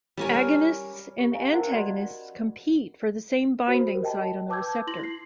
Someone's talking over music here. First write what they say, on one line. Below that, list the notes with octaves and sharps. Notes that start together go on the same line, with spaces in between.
Agonists and antagonists "compete" for the same binding site on the receptor.
G3 C#4 A#4
G4 C#6
E5 F5 G#5 A#5
C#4 D#4 E4 A#4 C5 F#5
D#4 F#4 D5 D#5 B5
F#4 C5 B5
G4 A#4
D#5 G5 A5
B4 A5 D6 E6 G6 G#6
E4 C6 A#6 F#7
C7